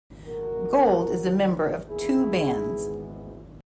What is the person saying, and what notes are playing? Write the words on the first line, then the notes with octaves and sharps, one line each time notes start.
Gold is a member of two bands.
B1 A#2 G#3 F#4 A#4
D#2 D#3 A#3 C#4
E2 D#3 A#3 E4 G#4
G#1 G#2 E3 B3